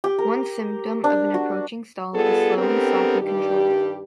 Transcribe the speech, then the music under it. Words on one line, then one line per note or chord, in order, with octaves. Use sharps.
One symptom of an approaching stall is slow and sloppy controls.
G4
A#4
D4
F#4
G3 B3 F4 G#4 A4
B3 C4 D4 G4 A4 A#4
G2 D#3 G3 G4